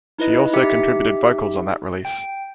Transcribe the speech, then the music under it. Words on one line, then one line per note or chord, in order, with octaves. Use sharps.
She also contributed vocals on that release.
D#4 E4 B4 D#5
D#4 G4 E5
G5